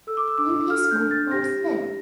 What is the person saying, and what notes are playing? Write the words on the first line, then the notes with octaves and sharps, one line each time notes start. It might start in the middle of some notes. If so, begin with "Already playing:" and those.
In his book What's Left?
A4 E6
D6
E6
D4 D6
A4 F6
G6
D4
A6
G4 A#6
E4